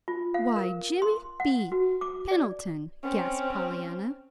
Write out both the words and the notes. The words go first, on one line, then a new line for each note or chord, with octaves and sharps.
"Why, Jimmy Be--Pendleton!" gasped Pollyanna.
F4
F5
A#4
C6
F#5
F#4
D6
D5
C4 C#4